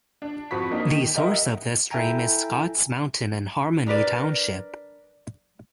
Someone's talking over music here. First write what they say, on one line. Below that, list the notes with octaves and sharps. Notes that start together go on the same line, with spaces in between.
The source of the stream is Scotts Mountain in Harmony Township.
D4
F2 F#4 B5 C#6 B6
A#3 D4 D#4 A#4 D#5
D#3
G4 A#4 D#5 E5 F#5
E4 A4 E5 G5 G#5 A#5
D4 A#4 B4 D5